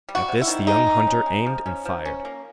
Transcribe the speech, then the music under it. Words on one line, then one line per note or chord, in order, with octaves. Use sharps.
At this the young hunter aimed and fired.
G3
F#4
C3
E4
D#3
G#3 D#4
G#3
C#4
G#3
F3
C#4
F3
C#4
A#3